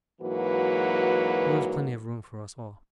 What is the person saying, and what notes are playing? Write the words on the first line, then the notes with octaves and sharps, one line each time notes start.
There was plenty of room for us all.
G#2 E3 F#3 A#3 F#4 B4